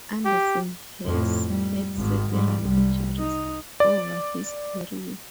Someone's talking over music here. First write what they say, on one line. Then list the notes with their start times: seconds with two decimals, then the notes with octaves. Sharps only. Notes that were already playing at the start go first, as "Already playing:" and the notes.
Anderson has had several injuries over his career.
0.25 G4
1.06 F2 A2
1.48 G3
1.96 G#1 D#3
2.31 G#2 G3
2.62 C2 G3
3.19 D#4
3.80 D5